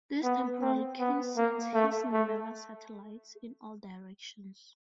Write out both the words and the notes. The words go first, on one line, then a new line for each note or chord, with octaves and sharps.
This temporary king sends his numerous satellites in all directions.
B3
C4
B3
A#3
A3
A3